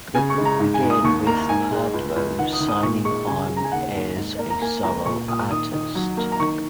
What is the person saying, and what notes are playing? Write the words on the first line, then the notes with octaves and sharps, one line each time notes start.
The group began with Pardlo signing on as a solo artist.
C#3 G#5
C#6
G#3
A#5
G#2
G#5
G#2
D#6
D#2 C#6
A#3 A#5
G#2 G#5
G#3
C#2
C#2
D#3 F#5
D#6
D#3
D#6
A#2 C#6
G#3 C#6
C#3 G#5
C#3
A#5
G#5
D#2 F#5
D#2
G#2
A#3
A#5
A#3 G#5
C#2 A#5
A#2 C#6
A#2 D#6
D#3 D#6
D#3
F#3
A#3
A#5
D#3 C#6